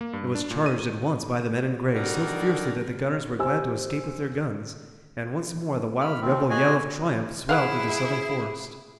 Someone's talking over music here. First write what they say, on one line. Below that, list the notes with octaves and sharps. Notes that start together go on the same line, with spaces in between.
It was charged at once by the men in gray so fiercely that the gunners were glad to escape with their guns, and once more the wild rebel yell of triumph swelled through the southern forest.
A#3
G2
D4
A#2
D#7
D3 G3 D#4 F#4 A#4 D5
G4 C5 G#5 E6
B5 F6
D#2 C4
F#4 G#4 D#5 G#5
E4 G#4 F5 F#5